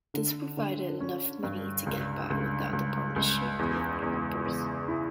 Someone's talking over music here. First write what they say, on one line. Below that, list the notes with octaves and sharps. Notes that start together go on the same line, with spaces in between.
This provided enough money to get by without the partnership with "Harper's".
D3
D3
C#4
G2
C#2
C#2
C#2
C#2
E2
E2
E2
E4